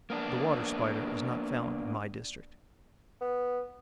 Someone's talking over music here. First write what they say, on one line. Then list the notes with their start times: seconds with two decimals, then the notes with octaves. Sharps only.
The Water Spider is not found in my district.
0.10 A#3 B3 D4
3.21 B3